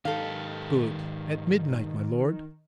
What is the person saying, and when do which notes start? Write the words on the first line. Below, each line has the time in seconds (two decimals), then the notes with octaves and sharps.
"Good! at midnight, my lord."
0.05 G#2 D#3 G4 A4 F5